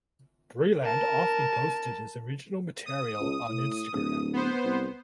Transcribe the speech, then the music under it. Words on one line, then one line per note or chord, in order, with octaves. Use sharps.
Breland often posted his original material on Instagram.
A#4 A5
D#6
C#2
A2
D1
B3 C5
C2